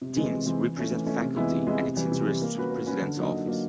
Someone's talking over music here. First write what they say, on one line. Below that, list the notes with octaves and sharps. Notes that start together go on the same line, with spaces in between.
Deans represent a faculty and its interests to the president's office.
C3
E3 G#3 C4
C3
E3 G#3 C4
E3
A3 C#4
E3
A3 C#4
C3
E3 G#3 B3 E4
C3
E3 G#3 B3 E4
C3
E3 G3
C3
E3 G3
A#3
C#4 F#4 B4
A#3
C#4 F#4 B4
D3
F#3 A#3 D#4
D3
F#3 A#3 D#4